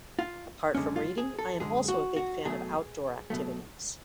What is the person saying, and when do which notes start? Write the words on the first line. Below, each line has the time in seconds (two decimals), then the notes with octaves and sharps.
Apart from reading, I am also a big fan of outdoor activities.
0.19 F4
0.75 F#2 D3 G#3 C#4
0.96 F4
1.18 G#4
1.39 A4
1.60 F#2 D3 G#3 G#4
1.88 F#4
2.16 F#4
2.45 B2 F#3 A3 G#4
3.30 B2 F#3 A3